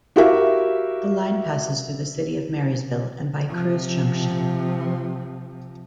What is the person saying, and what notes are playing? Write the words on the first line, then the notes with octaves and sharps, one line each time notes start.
The line passes through the city of Marysville and by Kruse Jct.
E4 F#4 G4 A#4 E5 F5
C3 F3